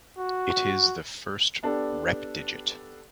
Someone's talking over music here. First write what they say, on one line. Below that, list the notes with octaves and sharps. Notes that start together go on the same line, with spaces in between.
It is the first repdigit.
F#4
B3 D4 G4 A4